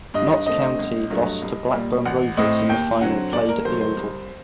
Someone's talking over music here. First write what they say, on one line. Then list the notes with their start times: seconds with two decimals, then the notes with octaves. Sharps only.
Notts County lost to Blackburn Rovers in the final played at The Oval.
0.14 G2 D#5
0.46 D3 A3 C4 D#5
0.79 G1
1.10 G2 F#3 A3
1.42 C2
1.73 A#2 G3
2.06 A1 F#5
2.37 A2 A3 C4 D#5
2.69 D#2 G5
3.01 D3 F#3 C4 F#5
3.32 D#2 D5
3.49 A#4
3.65 D#3 F#3 A3 C5
3.81 C5
3.97 C2